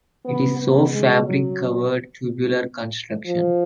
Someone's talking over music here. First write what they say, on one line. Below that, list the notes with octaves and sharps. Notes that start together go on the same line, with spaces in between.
It is of fabric-covered tubular construction.
B3
B3
G#3
F#3
F3